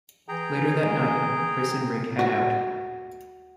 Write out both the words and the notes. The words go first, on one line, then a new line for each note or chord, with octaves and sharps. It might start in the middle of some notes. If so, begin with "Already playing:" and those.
Later that night, Chris and Rick head out.
E3 G#4 G5 A#5
F#4